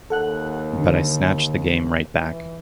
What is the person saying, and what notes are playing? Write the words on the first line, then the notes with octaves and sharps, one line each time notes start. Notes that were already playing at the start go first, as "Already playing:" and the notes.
But I snatch the game right back.
D#2 A4 F#5 F#6
D3
E3